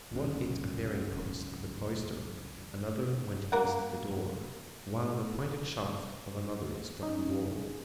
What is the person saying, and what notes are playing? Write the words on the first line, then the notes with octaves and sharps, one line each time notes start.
One hit a bearing-post of the cloister; another went against the door; while the pointed shaft of another struck the wall.
G#1 C#2 F#2 C#4
A#3 A#4 F#5
C#4 D#4
G#4